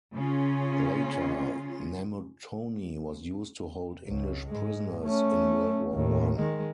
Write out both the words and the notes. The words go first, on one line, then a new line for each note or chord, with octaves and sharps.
Later Namutoni was used to hold English prisoners in World War One.
C#3 C#4 F4
C#2
G#2 G#3
A3 C#4
D#2 A2
D#3 G#3